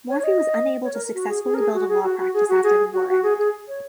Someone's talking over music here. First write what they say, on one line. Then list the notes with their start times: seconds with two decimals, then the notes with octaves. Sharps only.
Morphy was unable to successfully build a law practice after the war ended.
0.09 C#5
0.20 C#5
0.24 D#5
0.83 C#5
0.94 A#4
1.14 F#4
1.29 G#4
1.44 G#4
1.54 A#4
1.59 G#4
1.74 F#4
1.88 G#4
2.03 F#4
2.18 F#4
2.34 G#4
2.49 F#4
2.63 G#4
2.92 F#4
3.09 F#4
3.23 G#4
3.38 G#4
3.68 C#5